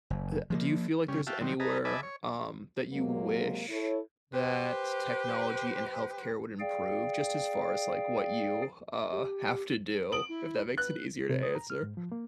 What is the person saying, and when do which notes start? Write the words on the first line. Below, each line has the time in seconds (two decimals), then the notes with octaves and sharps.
Uh, do you feel like there's anywhere, um, that you wish that technology and health care would improve just as far as, like, what you, uh, have to do? If that makes it easier to answer.
0.10 F#1
0.50 F3 A3 A#3
1.08 C#3 G3 C#4
1.27 F#4 E5 F5 G5 A5
1.41 D#3 F#3 G3 C4
1.60 G#4 B4 D#5 A5 A#5
1.85 D#5 E5 G#5 A5 B5 D6
2.03 C#5
2.93 C3 F#3 G#3 A#3
3.69 E4 A4 C#5
4.33 G4 B4 C5
6.60 G#4 D5 F5 G5
9.12 G4
10.12 D#6 D7 F#7
10.29 E4
10.78 B4 F#6
11.30 C3
11.43 D#6
11.55 A#5
11.70 F6
11.83 G#2
11.97 F3
12.12 A#3